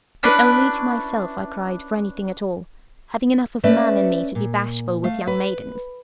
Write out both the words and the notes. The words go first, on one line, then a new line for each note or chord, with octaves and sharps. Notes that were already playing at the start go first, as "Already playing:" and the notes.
But only to myself I cried for anything at all, having enough of man in me to be bashful with young maidens.
C#4 D4 E4 B4
A3 C#4 B4 D5 E5
A#2
A3 F5
B4